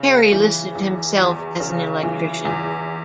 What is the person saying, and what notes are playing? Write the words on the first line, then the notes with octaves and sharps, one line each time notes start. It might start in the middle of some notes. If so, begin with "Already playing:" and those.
Perry listed himself as an electrician.
Already playing: C#3
E3
E2
E2
C#3
E3
E2